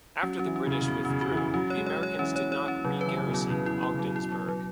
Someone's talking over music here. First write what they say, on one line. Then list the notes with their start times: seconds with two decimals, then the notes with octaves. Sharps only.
After the British withdrew, the Americans did not re-garrison Ogdensburg.
0.23 F#3 C#4
0.39 F#3 C#4
0.45 E3
0.56 C#4
0.67 C#3 F#4
0.82 C#3
0.88 B2 F#4
1.05 C#3 C#4
1.21 F#4
1.31 E3
1.37 C#4
1.54 F#3 C#4
1.70 C#5
1.75 G#3
1.87 C#5
1.97 F#3
2.03 C#5
2.19 E3 C#4
2.36 C#5
2.52 C#5
2.68 C#4
2.85 C#3 F#3
3.01 B4
3.06 E3
3.17 C#3 F#3
3.28 B2
3.34 F#3
3.50 C#3 E4
3.66 E4
3.72 B2
3.83 E4
3.94 C#3
3.99 B2 F#3
4.16 E4
4.22 B2
4.32 F#3
4.48 F#3